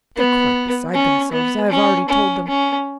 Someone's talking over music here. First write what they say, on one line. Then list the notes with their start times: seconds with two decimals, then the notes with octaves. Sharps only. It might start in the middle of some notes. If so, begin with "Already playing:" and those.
"They're quite beside themselves; I have already told them..."
0.16 B3
0.94 C#4
1.32 B3
1.70 C#4
2.09 C#4
2.47 C#4